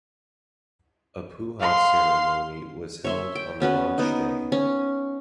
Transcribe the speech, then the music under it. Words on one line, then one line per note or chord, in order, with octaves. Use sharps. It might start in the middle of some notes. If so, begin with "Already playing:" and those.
A pooja ceremony was held on the launch day.
F5 C6
C#5 E5 C6
G5
B3 C#4 F#4 B4
B3 D#4
C#4